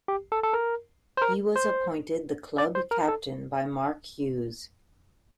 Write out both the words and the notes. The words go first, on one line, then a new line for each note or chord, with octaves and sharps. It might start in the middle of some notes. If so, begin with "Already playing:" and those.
He was appointed the club captain by Mark Hughes.
G4
A4
A4
A#4
C5
A#4
C5
D5
C5
A#4
A4